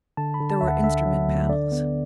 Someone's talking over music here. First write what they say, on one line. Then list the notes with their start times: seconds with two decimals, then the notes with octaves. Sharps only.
There were instrument panels.
0.17 D3 A5
0.34 B5
0.40 D3
0.50 A5
0.61 D2 E5
0.68 F#5
0.83 D3 E5
1.05 F#3
1.28 D2
1.49 D3 D5
1.72 B3